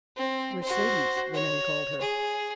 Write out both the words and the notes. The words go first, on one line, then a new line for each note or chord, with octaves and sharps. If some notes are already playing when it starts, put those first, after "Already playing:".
"Mercedes" the men called her.
C4
F#4 C5
C#5
G#4